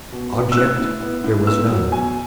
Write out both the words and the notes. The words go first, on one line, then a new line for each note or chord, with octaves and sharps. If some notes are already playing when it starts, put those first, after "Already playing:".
Object there was none.
B2
B3
E6
A2 F#6
A2
B3
A2
B3 E6
F#3
B2 G#5